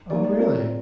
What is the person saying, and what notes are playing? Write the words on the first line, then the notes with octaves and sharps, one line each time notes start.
Oh, really?
A#3 D#4 G4 D5
D5
G#3 C4 F4 A#4 C#5